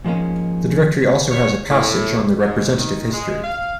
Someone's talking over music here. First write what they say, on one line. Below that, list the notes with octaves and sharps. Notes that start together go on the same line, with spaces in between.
The Directory also has a passage on the representative history.
G#2 F3 G#3 A#3 C#4
C#5
A2
G#2
D#3
G#3
F5